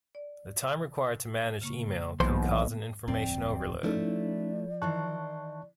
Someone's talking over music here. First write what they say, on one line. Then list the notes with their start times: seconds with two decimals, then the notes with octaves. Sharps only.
The time required to manage email can cause an information overload.
0.15 D5
1.61 C#3 A#3 C#6
2.20 B1 E3 A#3 B3 C5 C6
3.08 D1 F2 C4 D5 G5
3.83 F3 A3 C#4 D#4 E4 B4 D5
4.82 D#3 E3 C5 A5 C#6 F#6